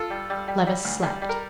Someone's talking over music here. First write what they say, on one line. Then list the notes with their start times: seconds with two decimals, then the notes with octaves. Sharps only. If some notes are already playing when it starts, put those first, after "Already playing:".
Levice slept.
Already playing: F4 A4
0.10 G3
0.30 G3
0.48 G3
0.67 G3
0.85 D2
1.03 G3
1.22 G3
1.29 A#4